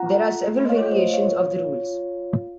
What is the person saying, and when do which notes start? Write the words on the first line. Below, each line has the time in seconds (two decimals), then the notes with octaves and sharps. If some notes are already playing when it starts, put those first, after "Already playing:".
There are several variations of the rules.
Already playing: F4 F#5 A#5
0.14 A4
0.48 A3
0.65 D#5
0.69 C#5 F5
0.80 F4
0.91 C5 D#5
1.13 F4 C#5 F5
1.47 F4
1.80 F4